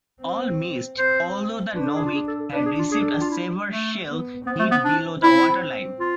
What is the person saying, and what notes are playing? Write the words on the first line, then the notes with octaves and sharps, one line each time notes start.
All missed although the "Novik" had received a severe shell hit below the waterline.
C4
C4 C5
D4 B4
A4
G#4
F4
G#4
A4
A4
D4 B4
G#4
F4
D4 G#4
A4
G#4
F4
E4
A3
B3
B3 C4
A3
B3
D4
C4 E4
F4